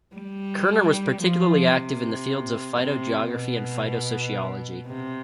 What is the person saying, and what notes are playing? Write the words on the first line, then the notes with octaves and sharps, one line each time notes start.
Kerner was particularly active in the fields of phytogeography and phytosociology.
G3
F3
C3
C3
B2
C3